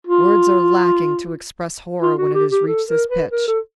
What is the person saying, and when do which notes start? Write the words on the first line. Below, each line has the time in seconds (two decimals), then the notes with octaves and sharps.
Words are lacking to express horror when it has reached this pitch.
0.07 F4
2.02 F4
2.18 F#4
2.34 G4
2.51 G4
2.67 A4
2.88 A#4
3.10 B4
3.32 A#4
3.48 A4